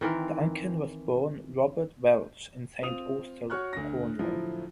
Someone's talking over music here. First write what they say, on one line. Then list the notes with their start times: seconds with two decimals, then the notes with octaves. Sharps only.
Duncan was born Robert Welch in Saint Austell, Cornwall.
0.01 D#3 E3 C4 A#4
2.82 C4 F4 D#6 F7
3.50 F#4 C#5 C#6 F6 F#6
3.73 D2 D4 A#6
4.19 A2 D3 F3 F#3 E4 F4